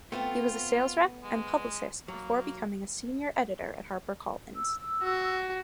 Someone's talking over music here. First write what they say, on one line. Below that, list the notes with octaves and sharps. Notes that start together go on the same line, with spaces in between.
He was a sales rep and publicist before becoming a Senior editor at HarperCollins.
A3 B3 C4 F4 A4
G#3
F#3 A#3
E6
F#4